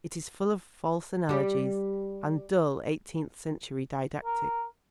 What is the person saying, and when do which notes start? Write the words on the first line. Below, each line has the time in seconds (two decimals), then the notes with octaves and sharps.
It is full of false analogies and dull eighteenth-century didactics.
1.29 G3 G4
4.25 A#4